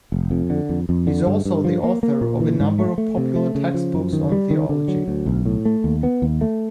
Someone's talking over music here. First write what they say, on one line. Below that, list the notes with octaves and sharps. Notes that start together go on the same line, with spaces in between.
He is also the author of a number of popular textbooks on theology.
F1
F2
D3
F2
F2
D3
G2
G2
F3
A#3
A#3
A#2
E3
G#2
A3
A3
C3
A3
C#3
F3
F#2
D#3
G3
D#3
D3
F#3
D2
B1
A2
A3
D#2
B3
D#2
A3